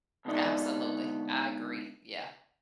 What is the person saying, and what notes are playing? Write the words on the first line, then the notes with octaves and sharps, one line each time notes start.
Absolutely, I agree, yeah.
C#2 B2 D3 B3 D#4 D5